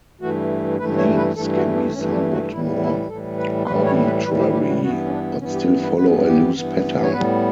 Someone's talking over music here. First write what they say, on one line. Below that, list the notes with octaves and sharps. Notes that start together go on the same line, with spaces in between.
Names can be somewhat more arbitrary, but still follow a loose pattern.
G2 E3 A3 F#4
G2 E3 A3 B4
C#5
B4
G2 E3 A3 A4
F#4
D4
G2 E3 A3 C#4
D4
F#4
A2 E3 G3 E4
E4
A2 E3 G3 A4
B4
A2 E3 G3 B4
C#5
B4
A2 E3 G3 B4
G4
G4
F#4
G2 E3 B3 F#4
C#4
D4
G2 E3 B3 C#4
G4
B4
G2 E3 B3 B4
G4
G2 E3 B3
C#5
A2 G3 B3 B4